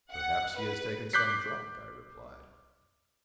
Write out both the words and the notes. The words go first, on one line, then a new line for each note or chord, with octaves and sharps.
"Perhaps he has taken some drug," I replied.
F#5
B4
D6 F#6 G6 B6 C7